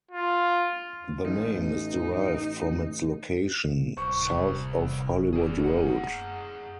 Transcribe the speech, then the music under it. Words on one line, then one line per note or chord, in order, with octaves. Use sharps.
The name is derived from its location: South of Hollywood Road.
F4
A1 D#4
D1 C2 C5 C#6
G#4 D5
G#4 F#5